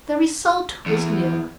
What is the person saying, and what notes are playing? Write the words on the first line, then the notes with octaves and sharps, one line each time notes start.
The result was nil.
E2